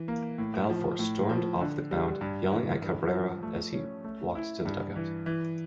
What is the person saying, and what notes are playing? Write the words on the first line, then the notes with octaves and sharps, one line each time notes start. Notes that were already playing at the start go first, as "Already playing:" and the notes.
Balfour stormed off the mound, yelling at Cabrera as he walked to the dugout.
Already playing: E3
A#3
A2
F3
A2
F3
D3
G3
G2
E3
G2
F3
A3
C#4
A3
E4
G2
E3
E3